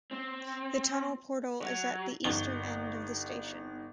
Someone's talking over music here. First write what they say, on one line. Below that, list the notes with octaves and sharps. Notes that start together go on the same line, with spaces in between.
The tunnel portal is at the eastern end of the station.
C4
F#3
G1 D#4 C#6 G7